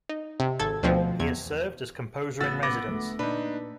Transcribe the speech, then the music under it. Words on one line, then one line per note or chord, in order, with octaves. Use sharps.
He has served as composer-in-residence.
D#4
C3
G#1 A4 A5 G#6
D2 B2 F3 C4
E2 G#6
A1 C#3 B3 F#4 E6 A6
B3 D6 A#6
D2 G#3 A3
A#2 D4 D#4 B4